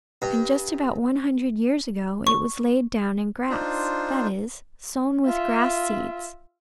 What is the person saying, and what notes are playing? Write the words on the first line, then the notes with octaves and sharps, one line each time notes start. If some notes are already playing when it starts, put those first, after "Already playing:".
And just about one hundred years ago it was laid down in grass; that is, sown with grass seeds.
G2
C#6
D4 D#4 F4 C5
F4 E5